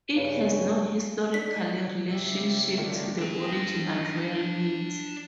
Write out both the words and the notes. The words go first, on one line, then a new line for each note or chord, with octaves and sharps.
It has no historical relationship to the original Royal Mint.
G2 C#3
D4 D#4 B6
C#2 G4 E5
D#3 A3 D4 F4
D4 G5